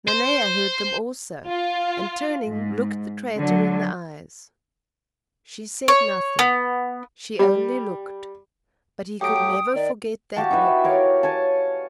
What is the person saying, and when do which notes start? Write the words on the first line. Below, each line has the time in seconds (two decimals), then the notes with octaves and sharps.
Nanea heard them also, and turning, looked the traitor in the eyes; she said nothing, she only looked, but he could never forget that look.
0.08 C5
1.49 F4
2.47 G#2
3.36 D3 F#3
5.88 C#5
6.39 B3
7.39 G3
9.21 F#3 A3 G4 G5 D#6 D7
9.36 D7
9.75 D#3 D5
10.36 F#4 G4 F5 A5
10.50 D#4 E4 B4 E5
10.84 A#4 C#5 D5 F5
11.23 C#5 G#5 A5